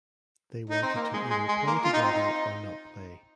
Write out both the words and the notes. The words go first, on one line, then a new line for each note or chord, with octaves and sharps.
They wanted to either play together or not play.
D#4
C4
A#3
G#3
G#3
G#3
A#3
F4
D#4
C4
D#4